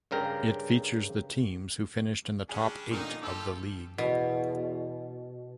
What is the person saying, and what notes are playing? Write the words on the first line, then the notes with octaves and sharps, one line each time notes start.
It features the teams who finished in the top eight of the League.
G2 C#3 A#4 G5
G3 C#4 D4 G#4
A#2 D3 D#3 D#4
F4 G4 A4 D6 E6
E2 B2